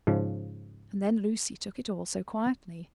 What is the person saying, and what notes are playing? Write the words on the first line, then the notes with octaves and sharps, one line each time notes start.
And then Lucy took it all so quietly.
G#2 C#3 F3